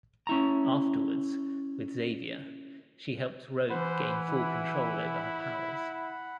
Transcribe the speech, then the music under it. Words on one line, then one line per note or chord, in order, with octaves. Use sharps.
Afterwards, with Xavier, she helps Rogue gain full control over her powers.
C#4 E4 A#5
E3 C5 F#5 B5
E4